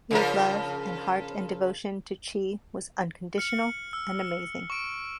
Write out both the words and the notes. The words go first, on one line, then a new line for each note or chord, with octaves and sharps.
Your love and heart and devotion to Chi was unconditional and amazing.
C#3 F3 A#4
F6 C#7 F#7
E6
C#6 D7